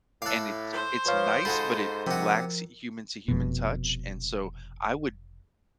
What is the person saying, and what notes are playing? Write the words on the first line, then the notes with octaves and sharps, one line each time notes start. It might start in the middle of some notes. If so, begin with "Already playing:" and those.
and it's it's nice, but it lacks human-to-human touch and so I would,
A2 A4 F5 D6 F#6
C5
F3 B4 C#5 F5
G#2 F4 F#4 G#4 A4 B5
C3 F3 F#4 A#4
F1 F2 B2